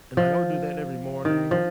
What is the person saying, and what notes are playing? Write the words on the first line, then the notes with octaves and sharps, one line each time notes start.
and, like, I would do that every morning,
F3
D#3
F3